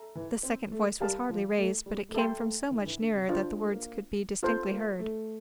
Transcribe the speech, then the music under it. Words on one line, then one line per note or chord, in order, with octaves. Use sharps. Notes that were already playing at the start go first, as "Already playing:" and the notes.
This second voice was hardly raised, but it came from so much nearer that the words could be distinctly heard.
Already playing: A4 E5 A#5
E3
C4
A3
G3 G4 A#4 F5 A5
F3
A3
G3
A3
G3 A4 E5 G5 C6
A#3
A3
E3
D3
E3
D3
C3
D3 D4 F4 C5
A3
A#3
C4 F4 A4 C5
A#3
A3